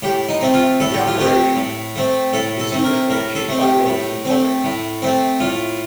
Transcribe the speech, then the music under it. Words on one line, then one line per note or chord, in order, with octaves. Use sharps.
This operation is usually achieved by ropes and pulleys.
A2 G4
D#4
A3 C4
F4
A2 A4
G4
F4
A3 C4 G4
A2
A3 C4
A2 A4
A4
A3 C4
A#4
A2 A#4
A4
A3 C4
G4
A2
A3 C4
A2
A3 C4
A2 F4